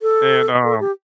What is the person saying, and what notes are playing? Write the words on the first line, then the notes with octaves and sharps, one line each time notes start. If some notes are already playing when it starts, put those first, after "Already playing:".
and, um,
A4
A4
G4